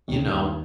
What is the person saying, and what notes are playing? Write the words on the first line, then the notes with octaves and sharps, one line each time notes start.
you know,
D#2
D#2